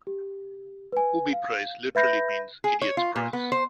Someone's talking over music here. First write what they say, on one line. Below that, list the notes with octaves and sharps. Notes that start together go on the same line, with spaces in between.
Booby prize literally means "idiot's prize".
G4
B4 G#5
F5
B4 E5 B5 G6 A#6
G#4
C#5
F4
A#2
B3
C5